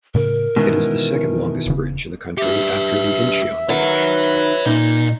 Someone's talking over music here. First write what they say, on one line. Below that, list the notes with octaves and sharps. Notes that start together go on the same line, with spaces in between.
It is the second longest bridge in the country after the Incheon Bridge.
A2 C#3 A#4
B2 D#3 E3 G#3 C#4
D#1 C#3
G4 B4 E5
D#3 B4 C#5 F#5
A#2 D#4